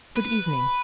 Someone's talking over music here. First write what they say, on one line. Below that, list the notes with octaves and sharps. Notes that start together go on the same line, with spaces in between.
"Good evening."
B4